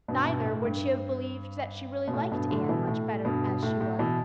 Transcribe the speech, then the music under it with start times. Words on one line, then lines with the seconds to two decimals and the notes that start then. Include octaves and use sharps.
Neither would she have believed that she really liked Anne much better as she was.
0.08 G2 B2
0.26 G2 B2
0.46 A2
0.64 G2
2.08 B2
2.14 A2
2.31 G2 B2
2.51 A2 D3
2.69 B2 E3
2.87 A2
3.25 G2 B2
3.63 A2
3.81 A2
3.99 B2 E3